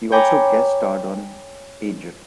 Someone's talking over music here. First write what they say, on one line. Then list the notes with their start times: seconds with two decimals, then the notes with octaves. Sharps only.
He also guest starred on "Angel".
0.12 C#5 G5 G#5 A#5 B5 D6